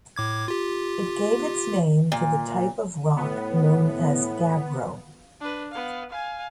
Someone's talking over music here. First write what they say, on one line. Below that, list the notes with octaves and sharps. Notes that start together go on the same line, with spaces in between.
It gave its name to the type of rock known as gabbro.
A2 D6 G#6
F4 G4
A#2
A2 B3
D4 B4
B3 F5
F5 G#5